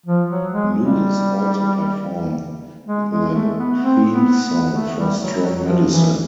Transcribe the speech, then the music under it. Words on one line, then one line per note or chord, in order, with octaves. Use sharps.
Lewis also performed the theme song for "Strong Medicine".
F3
F#3
G#3
G3
G#3
G#3
A3
B3
C4
B3
B3
A3
G3
F#3
F#3
F#3
F3
E3